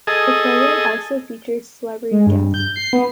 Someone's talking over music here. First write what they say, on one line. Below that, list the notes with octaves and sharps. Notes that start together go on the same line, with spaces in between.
The program also features celebrity guests.
G#4 A4 D#5
G#3
G2
G6
C7
B3